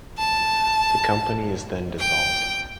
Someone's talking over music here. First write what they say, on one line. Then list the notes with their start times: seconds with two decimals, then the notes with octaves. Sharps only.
The company is then dissolved.
0.18 A5
1.99 G5